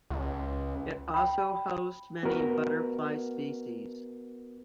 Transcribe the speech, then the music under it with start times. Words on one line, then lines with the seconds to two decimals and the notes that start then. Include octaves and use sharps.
It also hosts many butterfly species.
0.10 C#2
1.14 G5 B5
2.23 B3 F#4 A#4 B4